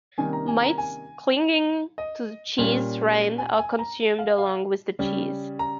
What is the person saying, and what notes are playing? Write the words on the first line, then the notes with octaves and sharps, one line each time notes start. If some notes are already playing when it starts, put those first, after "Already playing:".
Mites clinging to the cheese rind are consumed along with the cheese.
C3 D#3 G3 A#3 C#4 G#5
A#5
G#5
A#5
G#5
D#5
A#2 G3 C#4
G#5
G#5
A#5
F5
F5
C#3 G3 C#4
A#5